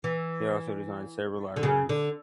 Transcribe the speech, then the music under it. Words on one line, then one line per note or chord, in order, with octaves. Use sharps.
He also designed several libraries.
E3
D3
C#3
D3